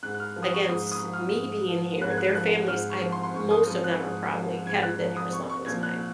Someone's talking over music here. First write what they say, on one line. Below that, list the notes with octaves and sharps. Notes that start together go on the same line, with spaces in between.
against me being here, their families, I most of them are probably haven't been here as long as mine.
G#2 F#6
F#6
F6
F3
D#6
C#6
G#2 D#6
D#6
F3
F6
G#2
F3
G#2 F#6
G#6
F#6
F3 F#6
G#2 F6
C#6
F3
C6
C6
G#2 C#6
D#6
F3 D#6
F#6
G#2
F3
G#2 G#6
F#6
F3
D#6
C2 C#6
C#6
A#2 F3 G#6
F#6